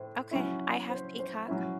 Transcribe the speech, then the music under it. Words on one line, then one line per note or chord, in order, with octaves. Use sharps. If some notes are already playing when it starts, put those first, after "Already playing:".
Okay, I have Peacock.
Already playing: A2 C5
F#3 C#4 E4
C5
C5
F#3 C#4 E4